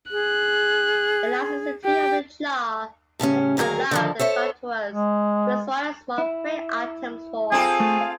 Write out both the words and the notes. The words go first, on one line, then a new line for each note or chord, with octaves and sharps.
Elasticity of the jaw would have allowed "Carnotaurus" to swallow small prey items whole.
G#4 F#6
G4 G5
A2 C#3 G3 C#4
D2 D#3 F#3 G#4 A#4
D3 D#3 F3
A4 C5 C#5 E5
G#3
E4
C4 F4 G#4 A4
A3
F5